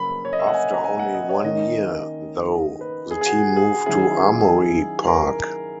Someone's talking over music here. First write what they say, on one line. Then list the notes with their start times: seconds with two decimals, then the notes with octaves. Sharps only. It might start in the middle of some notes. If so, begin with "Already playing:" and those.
After only one year, though, the team moved to Armory Park.
Already playing: C#3 F#3 A#3 B5
0.25 C#5
0.33 D#5
0.39 E5
0.47 F#5
0.54 G#5
0.74 A#5
0.84 G#5
0.99 F#5
1.14 D#5
1.29 C#5
1.44 D#3 A#3 C#4 D#5
2.81 B4
3.11 G#4
3.21 G#4
3.26 F#4
3.56 G#4
3.86 D#3 F#3 C#4 E4 G#4
5.07 A#4